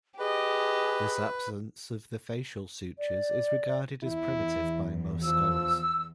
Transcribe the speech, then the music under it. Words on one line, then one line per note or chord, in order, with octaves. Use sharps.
This absence of the facial sutures is regarded as primitive by most scholars.
G4 G#4 B4 D#5
D5
E2 E4
F3 E6